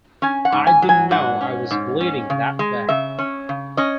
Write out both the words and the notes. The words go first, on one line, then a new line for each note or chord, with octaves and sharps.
I didn't know I was bleeding that bad.
C#4 G#5
F#5
G#2
G#5
F#3
G#5
G#2 F#5
C#4
G#2
C#4
C#3
G#3
C#3 E5
C#4
C#3
C#4 D#5